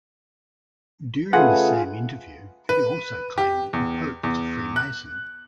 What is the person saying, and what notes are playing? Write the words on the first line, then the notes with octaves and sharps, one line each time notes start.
During the same interview, he also claimed that the Pope was a Freemason.
C#3 A3 F4 G#4 B4 F#5
B4
G4
E2
E2
F#6